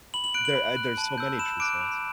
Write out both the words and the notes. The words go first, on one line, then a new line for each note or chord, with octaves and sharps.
there uh, there's so many true selves.
B5 F#7
F#7
F#6 D7
F#7
B5
F#6
A5
E6 G6
B5 E7
D6 F#6 D7
B5